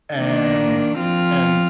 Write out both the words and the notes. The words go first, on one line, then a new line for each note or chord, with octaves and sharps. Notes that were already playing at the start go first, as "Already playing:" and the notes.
and and
D#3 A#3 D4
F3 C4 F4